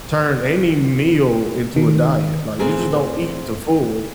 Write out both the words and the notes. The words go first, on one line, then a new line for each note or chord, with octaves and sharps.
turn any meal into a diet, like, you just don't eat to full.
D#3
A2 B3 C4 G#4 A#4 G#5